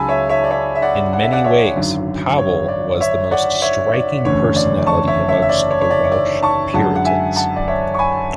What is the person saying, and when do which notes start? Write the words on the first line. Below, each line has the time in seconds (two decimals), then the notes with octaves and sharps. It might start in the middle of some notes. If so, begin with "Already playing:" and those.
In many ways, Powell was the most striking personality amongst the Welsh Puritans.
Already playing: C#2 C#3 F#3 G#5 A5 B5 E6
0.09 C#5 E5
0.29 C#5 E5
0.44 D5
0.51 C#5 E5
0.75 E5
0.82 D5 F#5
1.13 F#5
1.23 E5
1.32 D5 F#5
1.44 C#5 E5
1.75 G#1 F#2 D3
2.38 C#5
2.68 D5
3.01 C#5 E5
3.31 D5 F#5
3.62 C#5 E5
3.93 D5
4.25 F#1 E2 D3 A3 C#4 C#5
4.56 D5
4.87 A5 C#6
5.07 C#5 E5
5.28 C#5 E5
5.42 E5
5.49 D5
5.71 C#5
5.81 C#5
5.91 D5
6.12 D5
6.43 A5 C#6
6.74 F#2 D3 G#3 F#5 A5
6.95 F#5
7.05 E5 G#5
7.36 F#5 A5
7.56 D5
7.68 C#5 E5
7.94 C#6
7.99 G#5 B5